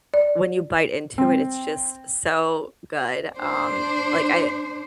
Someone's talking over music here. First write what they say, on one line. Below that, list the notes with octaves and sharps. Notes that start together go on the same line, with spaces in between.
when you bite into it, it's just so good, um, like, I
D5
C4
D4 C5